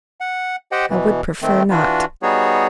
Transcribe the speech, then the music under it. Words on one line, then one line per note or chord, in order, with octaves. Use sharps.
"I would prefer not."
F#5
G4 C5 D#5 F#5 G5
B2 E3
D#3 A3 C4
E3 D4 F4 F#4
G3 B3 D#4 F#4 G#4 C#5